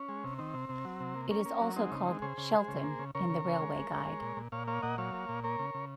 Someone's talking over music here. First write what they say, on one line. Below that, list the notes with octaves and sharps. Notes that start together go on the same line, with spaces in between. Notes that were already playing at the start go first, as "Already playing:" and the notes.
It is also called "Shelton" in the Railway Guide.
Already playing: C#4
G#3
C3
D#3 C4
C3
C3
F#3
C3
A#3
A#3 C#4
A#3
F#3
G#3 C4 D#4
C#3
G#3
C#3 G#4 C5
C#3
G#3
C#3
A#3
C#3
C#3 A#4 C#5
C#3
C#3
G#3
G#3
G#3
G#3
A#2
A#2
A#2 C#5 F5
A#3 C#5 F5
A#2 D#5 F#5
F#3 C#5 F5
A#3
A#2
A#3 A#4 C#5
C#3
C#3